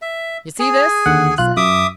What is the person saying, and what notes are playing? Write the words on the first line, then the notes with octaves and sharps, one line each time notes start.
"You see this?" he said.
E5
G#4 G#5
D#2 D3 F#5
B1 F4 F#6
F#2 E5 D6 D#6